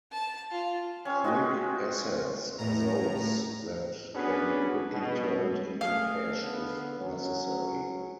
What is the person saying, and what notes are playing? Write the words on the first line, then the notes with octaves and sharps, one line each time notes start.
Quick assets are those that can be quickly turned into cash if necessary.
A5
F4
C4 C#4
G#3 F4 F#4 G5
A2 A#5
B3 C#4 D4 F#4 G#4 B4
B2
A3 G#4 A4 F5
D3 B3
F#3 C#4